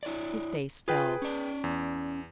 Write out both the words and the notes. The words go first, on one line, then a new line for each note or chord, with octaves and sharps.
His face fell.
E4 C#5 D5
F4 G#4 B4 G5
C#4 D5
E2